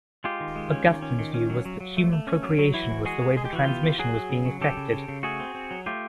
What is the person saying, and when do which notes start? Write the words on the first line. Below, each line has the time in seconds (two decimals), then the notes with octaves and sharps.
Augustine's view was that human procreation was the way the transmission was being effected.
0.24 G#3 F4 G4
0.40 D#3
0.56 G#3
0.71 C#4
0.87 D#3
1.02 C#4
1.19 D#3
1.34 C#4
1.50 F#3
1.65 F#3
1.81 F#3
1.97 A3
2.13 A3
2.27 C#4
2.43 F#3
2.59 F#3
2.74 E3 E4 F#4
2.90 E3
3.05 G#3 F#4 G#4
3.22 G#3
3.36 G#3 G#4
3.45 G4
3.53 E3 F#4
3.64 B3 F4 G4
3.83 E3
3.98 F#3 F#4 G#4
4.14 F#3
4.30 C#3
4.45 F#3
4.61 C#3 G4 A4
4.77 C#3
4.92 C#3
5.08 C#3
5.23 A3 F#4 G#4
5.40 C4
5.55 C4
5.71 F#3
5.86 A3 F4 G4